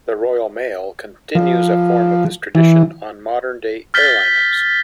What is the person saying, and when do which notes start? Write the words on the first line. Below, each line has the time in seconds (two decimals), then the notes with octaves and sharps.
The Royal Mail continues a form of this tradition on modern day airliners.
1.35 F3
2.55 E3
3.94 F6 G6 A6 B6 G7